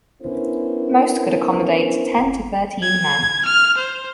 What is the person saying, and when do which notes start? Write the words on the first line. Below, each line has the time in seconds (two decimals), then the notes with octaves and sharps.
Most could accommodate ten to thirteen men.
0.23 B3 C#4 D4 E4 A#4 C5
2.82 G#6
3.45 F6
3.78 C5